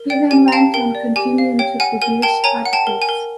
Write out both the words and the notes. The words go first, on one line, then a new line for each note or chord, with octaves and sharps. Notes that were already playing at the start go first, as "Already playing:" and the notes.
He then went on continuing to produce articles.
Already playing: A#4
D5 G5
G4 G#5
A#5
F5 G5 A5
A#4 G5
D5
G4 G#5
F5
C#5 G5
F#5 G#5
A#4 G#5
A#4 G5 A5
C#5 G#5 A#5
F#5
G5 A5
A#4
G#5
A#4